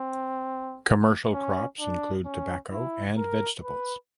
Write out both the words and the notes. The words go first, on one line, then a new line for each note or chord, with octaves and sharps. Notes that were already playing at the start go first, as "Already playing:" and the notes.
Commercial crops include tobacco and vegetables.
Already playing: C4
C#4
D4
C#4
E4
A#4
B4